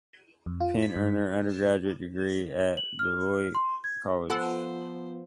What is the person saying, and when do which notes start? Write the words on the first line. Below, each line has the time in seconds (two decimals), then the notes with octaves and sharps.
Penn earned their undergraduate degree at Beloit College.
0.46 F2
0.60 F4
0.83 B6
0.96 G2
2.77 F#7
2.99 F6
3.55 C6
3.84 G#6
4.30 F3 B3 F4 A4 C5 F#5 G#5 E6